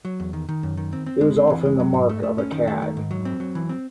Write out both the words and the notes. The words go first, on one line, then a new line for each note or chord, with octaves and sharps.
It was often the mark of a cad.
F#3
E2
D#3
D#3
F#2
D#3
C4
C4
G#3
C4
E3
G#3
F#3
G#2
A3
A3
C#4
D#3
A3
D#3
G#2
F#3
C4
F#3
E3
C4